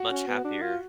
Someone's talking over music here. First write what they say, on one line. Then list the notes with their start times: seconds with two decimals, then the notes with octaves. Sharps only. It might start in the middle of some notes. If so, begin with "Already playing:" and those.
much happier.
Already playing: F#4 F#5
0.10 C#4
0.27 B3
0.44 D4
0.62 F4